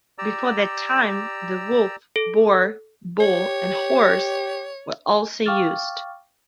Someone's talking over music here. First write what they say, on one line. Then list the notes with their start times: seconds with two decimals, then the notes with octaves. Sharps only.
Before that time, the wolf, boar, bull and horse were also used.
0.18 G4 D5 A#5 E6
2.16 A4
3.20 G4 C#5
5.46 F5 G5 C#6 D6 F6 A6